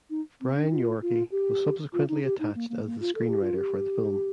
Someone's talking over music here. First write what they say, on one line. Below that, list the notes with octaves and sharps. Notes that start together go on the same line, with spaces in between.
Brian Yorkey was subsequently attached as the screenwriter for the film.
D#4
C4
D4
F4
F4
G4
F4
D#4
G4
D#4
A#3
A#3
A#3
F4
A4
G4
F4
G4